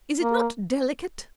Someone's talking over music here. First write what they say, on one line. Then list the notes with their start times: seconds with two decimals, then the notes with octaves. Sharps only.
Is it not delicate?
0.21 A#3